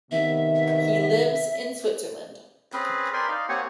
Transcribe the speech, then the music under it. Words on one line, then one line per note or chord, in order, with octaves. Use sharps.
He lives in Switzerland.
C3 D#3 B3 E5
C4 C#4 G#4 B4
A#4 C5 D5 G#5 B5 C6
D#4 D5 D#5 F5
A#3 C4 G4 C#5 F#5 G#5